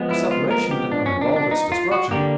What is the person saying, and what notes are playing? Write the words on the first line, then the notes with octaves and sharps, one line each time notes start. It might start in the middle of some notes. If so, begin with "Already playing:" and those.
Our separation did not involve its destruction.
Already playing: F3 G#3 B3
E4
F4
A#4
G4
D4
C#4
D4
D4
D#4
F4
F#4
D3 G3 A#3 G4